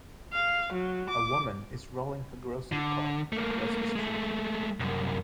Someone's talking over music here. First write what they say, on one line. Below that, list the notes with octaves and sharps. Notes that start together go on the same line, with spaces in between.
A woman is rolling her grocery cart across the street.
F5
F#3
D6
D3
A3 A#3
G#3 A3
C2 F#2